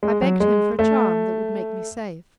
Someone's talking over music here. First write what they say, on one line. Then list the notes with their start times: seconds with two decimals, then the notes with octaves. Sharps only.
I begged him for a charm that would make me safe.
0.03 G#3
0.22 F#3
0.40 G#3
0.79 A3